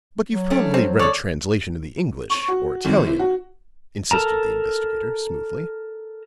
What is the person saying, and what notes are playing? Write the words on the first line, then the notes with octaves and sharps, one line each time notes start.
"But you've probably read a translation in the English or Italian," insisted the investigator, smoothly.
F#3
A3 C#4 D4
C4
C3 A4 C#5 D5
C#6
F#4
G#1
E4
F#4
A4 A#4 A5 A#5